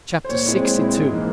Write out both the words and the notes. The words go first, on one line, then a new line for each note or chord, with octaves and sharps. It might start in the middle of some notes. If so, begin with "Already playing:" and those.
Chapter LXII.
C5
A#2 C#5
G#3 C4 E4
A#2
G#3 C4 E4
G#2
E3 A#3